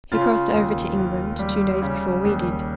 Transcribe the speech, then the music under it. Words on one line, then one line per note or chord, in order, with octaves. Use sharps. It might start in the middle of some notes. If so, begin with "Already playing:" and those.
He crossed over to England two days before we did.
C#3 F4
D#2
D#2
G3
C#3
D#2